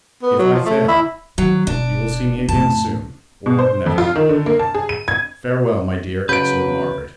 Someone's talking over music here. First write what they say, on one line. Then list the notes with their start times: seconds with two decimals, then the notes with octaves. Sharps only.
If I fail, you will see me again soon, or never. Farewell, my dear, excellent Margaret.
0.23 B3
0.39 F#3
0.53 F3
0.66 A3
0.88 E4
1.38 D#3 F#3
1.67 E1 D4
2.49 F2 A2 A5
3.46 B2
3.59 C5
3.86 F2
3.98 F4
4.16 D#3
4.29 D3
4.46 A#3
4.59 A5
4.74 G#4
4.89 D#7
5.08 G#6
6.29 C#3 F#3 B4 G6 D7